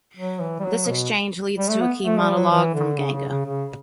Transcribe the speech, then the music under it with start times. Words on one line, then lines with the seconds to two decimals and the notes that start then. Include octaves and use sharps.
This exchange leads to a key monologue from Ganga.
0.17 F#3
0.41 E3
0.60 G3
0.64 F#3
0.87 B2
1.58 G3
1.69 A3
1.81 B3
2.04 A3
2.20 G3
2.36 F#3
2.51 E3
2.74 D3
2.98 C#3
3.14 C#3
3.29 C#3
3.45 C#3